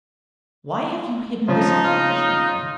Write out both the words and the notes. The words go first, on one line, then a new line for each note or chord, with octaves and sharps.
Why have you hidden this accomplishment from me?
C#3 F3 D#4
F4